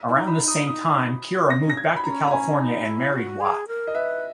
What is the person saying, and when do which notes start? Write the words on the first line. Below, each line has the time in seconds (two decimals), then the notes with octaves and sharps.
Around this same time, Kira moved back to California and married Watt.
0.08 E4
0.14 D#4
0.19 A#5
0.27 B5
0.41 D#4
0.48 D#6
0.67 D#4 D#6
1.50 C#4 A#6
1.64 C#4
1.70 A#6
1.77 G#6
1.96 B5
2.04 C#4 A#5
2.27 A#5
2.31 C#4 G#5
2.59 D#4
2.86 E4
3.13 F#4
3.41 G#4
3.68 A#4
3.87 D#5
3.95 B4 E5